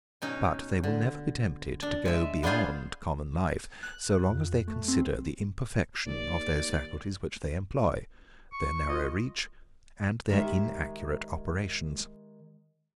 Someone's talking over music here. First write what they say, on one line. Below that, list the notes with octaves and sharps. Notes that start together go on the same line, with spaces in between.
But they will never be tempted to go beyond common life, so long as they consider the imperfection of those faculties which they employ, their narrow reach, and their inaccurate operations.
B2 C#4 D#4
D3
D4
G#3 E5
B3 D4 F4 G#4 C5 F5
F#6
F2
A3
C4
D#2 D5
C#6
F4 D#5
D#3 G#3 G4 E5